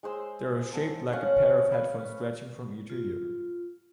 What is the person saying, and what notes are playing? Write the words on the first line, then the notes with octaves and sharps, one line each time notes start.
They are shaped like a pair of headphones stretching from ear to ear.
G#3 G#4 C5 E6
A4 F#5
C#4 F5 F#5
B4 F5
F4